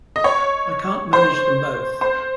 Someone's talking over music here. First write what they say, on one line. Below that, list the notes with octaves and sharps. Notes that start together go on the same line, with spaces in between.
I can't manage them both.
D#5
C#5
C5
C5